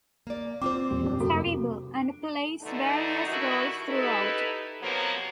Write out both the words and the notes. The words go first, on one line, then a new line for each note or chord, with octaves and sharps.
Terrible, and plays various roles throughout.
A#3 D5
C4 F4 C5 D6
E2 A#2 G3
G3 D4
F#2 C3 A#3 F#4 A4
B2 D3 E3 A3 D#4
G2 D#3 D4 E4 F#4
D#4 E4 G4 A4 B4
C3 F3 F#3 A#3 B3